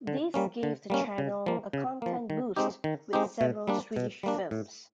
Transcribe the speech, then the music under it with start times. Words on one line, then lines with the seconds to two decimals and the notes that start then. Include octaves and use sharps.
This gave the channel a content boost with several Swedish films.
0.07 D3
0.34 G3 A#3 C#4
0.63 D3
0.90 G3 A#3 C#4
1.18 C#3
1.46 F3 A#3
1.73 C#3
2.02 F3 A#3
2.30 D#3
2.56 G#3 C4 D#4 G4
2.84 D#3
3.13 G#3 C4 D#4 G4
3.41 B2
3.67 G3 A#3 D4
3.96 B2
4.23 G3 A#3 D4
4.51 A2